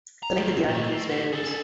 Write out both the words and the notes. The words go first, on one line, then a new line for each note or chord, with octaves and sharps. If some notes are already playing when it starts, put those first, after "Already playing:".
The length of the articles varies.
A#5
D#3 B3
A#2 A3
A2
G4 F#5
G#4 A4